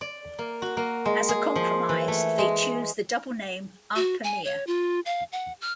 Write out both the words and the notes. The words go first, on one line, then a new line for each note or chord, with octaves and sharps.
As a compromise they choose the double name Erpe-Mere.
D5
A#3
F#4
A#3
G#3
G#4
F3
E3
A3
G#3
F#4
G#5
C#5
F4
F5
F#5
F6